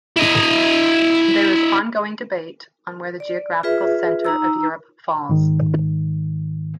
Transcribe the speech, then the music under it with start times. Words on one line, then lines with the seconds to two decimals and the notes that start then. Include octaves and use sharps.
There is ongoing debate on where the geographical centre of Europe falls.
0.16 E4 D#5
3.20 D5
3.63 F4 G#4 B4 E5
4.25 D#4 A#5 E6
5.29 G#2 D#3